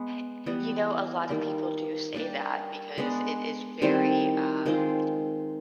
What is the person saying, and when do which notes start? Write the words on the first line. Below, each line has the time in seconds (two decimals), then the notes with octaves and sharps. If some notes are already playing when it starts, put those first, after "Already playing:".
Heh, you know, a lot of people do say that, because it is very, um,
Already playing: G#3 B3
0.46 E3 G3 B3
1.30 D#3 G3 A#3
2.14 G3 A#3 D4 G4
2.98 G#3 B3 D4
3.82 D#3 G3 C4 E4
4.66 D#3 G#3 C4 F4